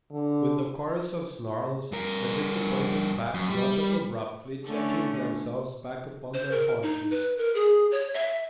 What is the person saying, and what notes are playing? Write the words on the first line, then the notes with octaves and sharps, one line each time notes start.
With a chorus of snarls, the disappointed pack brought up abruptly, checking themselves back upon their haunches.
D3
G2 A#4
F#2
G3
D3 A3 C#4
C5
A#4
D#4
B4
A#4
G#4
C#5
E5